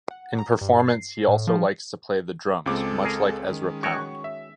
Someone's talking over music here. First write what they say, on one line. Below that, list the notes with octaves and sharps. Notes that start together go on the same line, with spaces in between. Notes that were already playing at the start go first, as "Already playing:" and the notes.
In performance he also likes to play the drums, much like Ezra Pound.
F#5
A#5
G2
C7
A2
F3
C#2 G#3 C4 A4 D6
G#4 A#4
D#3 G#3 C#4
F#4 C#5 G5 C#6
E5